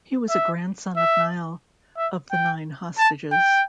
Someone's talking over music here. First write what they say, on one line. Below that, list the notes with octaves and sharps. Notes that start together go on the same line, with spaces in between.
He was a grandson of Niall of the Nine Hostages.
E5
E5
E5
G5
A5
G5